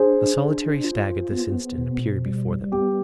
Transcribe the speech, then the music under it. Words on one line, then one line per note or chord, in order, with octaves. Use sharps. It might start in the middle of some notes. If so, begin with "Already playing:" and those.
A solitary stag at this instant appeared before them.
Already playing: D4 G#4 C5
D4
F4
B3
B2
G3
B3 G4